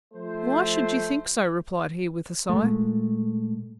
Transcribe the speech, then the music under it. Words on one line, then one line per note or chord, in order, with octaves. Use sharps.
"Why should you think so!" replied he, with a sigh.
F3 A3 C5
A#2 G#3 A3